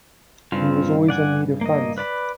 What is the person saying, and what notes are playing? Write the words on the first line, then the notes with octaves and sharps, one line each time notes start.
He was always in need of funds.
G2 C#3 C4 F4
D5 F#5 G#5
A#3 D#5
B4 D5 B5